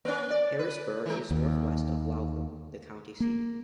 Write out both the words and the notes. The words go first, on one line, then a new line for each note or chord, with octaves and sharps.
Harrisburg is northwest of Lowville, the county seat.
A#3 C#4
D5
B4
E3 G#3
D#2
A#3